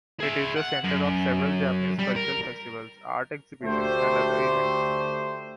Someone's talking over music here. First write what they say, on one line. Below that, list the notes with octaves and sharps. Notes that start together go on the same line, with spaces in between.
It is the center of several Japanese cultural festivals, art exhibitions, and other events.
G#4 E5
F#5
F#2
G3
A#4
D2 A3 G4 C5